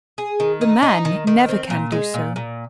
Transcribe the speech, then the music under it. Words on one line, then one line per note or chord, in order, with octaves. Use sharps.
The man never can do so.
G#4
D#3
D#4
D#4
D#3
D#3
C4
A#2
G#3
A#2
A#2